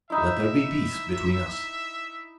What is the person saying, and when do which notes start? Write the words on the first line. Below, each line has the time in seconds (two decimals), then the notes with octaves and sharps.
Let there be peace between us.'
0.10 D#4 E4 E5